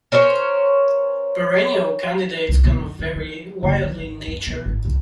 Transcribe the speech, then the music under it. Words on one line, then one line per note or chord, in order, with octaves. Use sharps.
Perennial candidates can vary widely in nature.
C#4 A#4 C5 C#5
C2
B2
F#2
D#3
E3
F#1
D#3
G#1
F#2
B2
G#1
C2